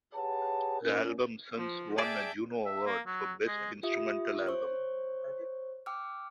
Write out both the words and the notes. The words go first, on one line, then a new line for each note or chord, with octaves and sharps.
The album since won a Juno Award for best instrumental album.
G4 G#4 B4 C#5 F#5 A5
A#2 C#4 A#4
F3
G#4 D5 E5 G5 A5
E5
A#3
F#3
G#3
F4 G4 E5 D#6
C5 C#5 C#6
G5 D6 E6 F6